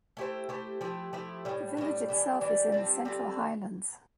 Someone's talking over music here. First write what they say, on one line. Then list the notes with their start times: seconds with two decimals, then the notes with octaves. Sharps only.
The village itself is in the central highlands.
0.17 A3 E4 G4 C5
0.49 A3 E4 G4 C5
0.81 F3 A3 E4 G4
1.13 F3 A3 E4 G4
1.45 A2 E3 G3
1.77 A2 E3
1.81 G3
2.09 E3 G3 D4
2.41 E3 G3 D4
2.72 G3 C4 F4 A4
3.05 G3 C4 F4 A4